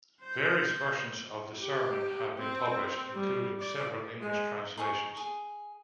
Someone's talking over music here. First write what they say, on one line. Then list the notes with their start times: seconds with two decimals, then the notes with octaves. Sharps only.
Various versions of the sermon have been published, including several English translations.
0.21 C5 G6
1.60 G4
2.38 C4
3.14 G3
3.60 D5
4.21 G#3
4.78 D#4 G#4 C#6
5.17 G#4